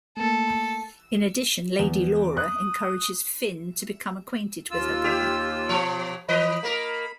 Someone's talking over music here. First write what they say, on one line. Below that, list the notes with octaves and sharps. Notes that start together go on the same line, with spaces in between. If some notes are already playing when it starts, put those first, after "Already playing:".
In addition, Lady Laura encourages Finn to become acquainted with her brother.
A3 A#3 A4
E2
D#6 F#6
D#2 F4 E6
G4
B2 F3 C#5
E3 B4 D#5 B5
A#3 A#4